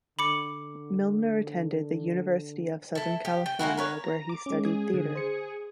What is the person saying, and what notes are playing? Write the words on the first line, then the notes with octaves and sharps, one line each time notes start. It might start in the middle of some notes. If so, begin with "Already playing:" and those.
Milner attended the University of Southern California where he studied theater.
D3 B5 D6 C#7
E4 A4
G4
G5
G#3 A#3 E4 F#4
A#4 B4 C#5
A#5
D6
G#3 C#4
G#4
D3
C5 C#7